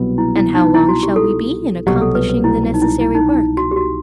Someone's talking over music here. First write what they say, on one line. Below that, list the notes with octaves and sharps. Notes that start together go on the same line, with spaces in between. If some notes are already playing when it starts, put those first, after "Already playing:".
"And how long shall we be in accomplishing the necessary work?"
Already playing: C2 B2 F#3 B3
E4
E4
D#4
E4
F#4
G4
A4
C2 B2 F#3 G4
A4
B4
B4
E4
E4
D#4
E4
E4
D#4
D#4
F#4
G4
F#4